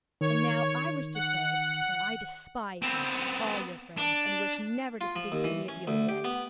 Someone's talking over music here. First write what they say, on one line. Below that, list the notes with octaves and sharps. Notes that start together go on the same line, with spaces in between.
And now I wish to say that I despise you and all your friends, and wish never to speak to any of you again.
D#3 C#5
F#5
B3 C4
D4
F4
F3
D#2
E3
C#4
D2
G4
B3